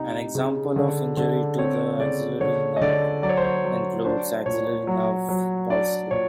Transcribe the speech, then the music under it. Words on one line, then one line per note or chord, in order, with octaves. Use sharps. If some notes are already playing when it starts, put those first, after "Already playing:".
An example of injury to the axillary nerve includes axillary nerve palsy.
Already playing: C3 D#4
C#3
D3
D3
C4 C#5
C#3 D5
D3 C#5
D#5
D3 D5
F#3 D5
C#5
C5
C#5
F#3
D4 C5
A#2 C#5
F#3
F#3
D4 D5
A#2 C#5